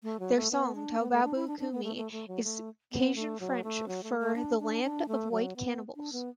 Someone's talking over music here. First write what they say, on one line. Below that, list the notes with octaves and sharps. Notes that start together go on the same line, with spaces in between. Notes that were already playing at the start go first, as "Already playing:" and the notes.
Their song "Toubabo Koomi" is Cajun-French for the "Land of White Cannibals".
A3
F#3
A3
B3
D4
B3
A3
D4
E4
D4
D4
B3
A3
A3
A3
F#3
A3
B3
A3
F#3
A3
F#3
A3
A3
D4
D4
D4
A3
F#3
B3
D4
B3